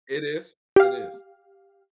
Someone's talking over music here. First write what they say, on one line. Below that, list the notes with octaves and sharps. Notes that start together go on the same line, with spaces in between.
It is, it is.
G4 F5